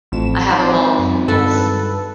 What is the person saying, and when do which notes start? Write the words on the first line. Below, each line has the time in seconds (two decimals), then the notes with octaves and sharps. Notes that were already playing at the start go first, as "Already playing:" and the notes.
I have 'em all. Yes.
0.12 A1 F2 E7
0.50 G#1 C5 D5 A5
0.99 F#2
1.28 G2 A4 B4